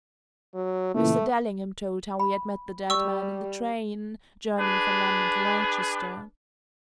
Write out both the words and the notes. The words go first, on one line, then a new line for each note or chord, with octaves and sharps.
Mr. Dellingham told how he had met the dead man in the train, journeying from London to Wrychester.
F#3
A#2 C#3 E3 A3
B5
G3 C#6 E6
D4 G#4 B4